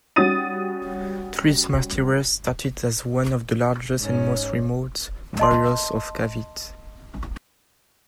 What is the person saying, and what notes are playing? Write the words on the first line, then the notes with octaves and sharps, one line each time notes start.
Trece Martires started as one of the largest and most remote barrios of Cavite.
G3 C#4 F#4 D#6 A6 D#7
G#2 C#4
D#5 A5 C6